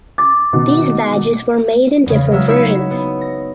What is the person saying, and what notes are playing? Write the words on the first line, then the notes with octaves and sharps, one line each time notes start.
These badges were made in different versions.
D6 A6
B2 D#3
E2 C#3
F#3 G#3 E5 A#5 F6
D#4 E4 F#4 C#5 E5
B3
A#6